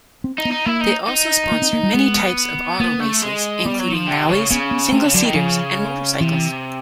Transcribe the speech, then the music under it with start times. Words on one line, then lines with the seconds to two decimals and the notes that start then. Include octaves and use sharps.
They also sponsor many types of auto races including rallies, single-seaters, and motorcycles.
0.24 C4
0.38 D#4
0.45 B3
0.52 D#4
0.66 A#3 E4
0.81 D#4
1.09 D#4
1.52 A#3
1.62 C4
1.73 A#3
1.83 G3
1.94 G#3 B3
2.80 A#3 B3
3.00 A3
3.22 G#3
3.65 G3 B3
3.79 F#3
3.93 F3
4.08 C3
4.29 C#3
4.50 C#3 B3
4.71 B3
4.92 C3 A3
5.04 C#3
5.14 D3 F#3
5.25 D#3
5.35 C#3 F3
6.20 C3 E3